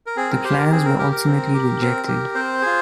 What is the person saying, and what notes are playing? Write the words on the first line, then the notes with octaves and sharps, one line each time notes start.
The plans were ultimately rejected.
A#4
C4 G#4
A#4
G4 C5
A#4
C4 G#4
A#4
G4 A#4
A#4
C4
G4
C4
G4
C4 C5
F4 G#4